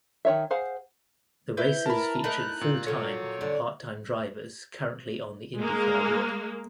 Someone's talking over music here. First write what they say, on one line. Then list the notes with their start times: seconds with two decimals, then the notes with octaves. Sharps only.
The races featured full time and part time drivers currently on the Indycar grid.
0.25 D#3 C#5 E5
0.51 G#4 C5 F5 F#5
1.57 E4 B4 E5 G6
1.86 A#4 A5 B5
2.24 D#4 E4 A#4 F#6
2.61 A#2
2.87 F#3 A4 C#5
3.41 D3
5.58 G#3 A#3